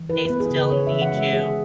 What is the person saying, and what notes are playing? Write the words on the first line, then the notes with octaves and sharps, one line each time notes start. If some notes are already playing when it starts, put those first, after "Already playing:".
They still need you.
Already playing: E3
E4 B4
B4
B3
G#4
C#3
B4
C#4 C#5
E5
E3
F#5
G#3
E5
E3 G#4